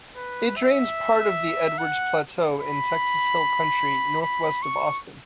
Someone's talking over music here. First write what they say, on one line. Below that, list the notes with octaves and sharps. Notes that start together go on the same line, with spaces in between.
It drains part of the Edwards Plateau in Texas Hill Country northwest of Austin.
B4
E5
F#5
B5
B5
C#6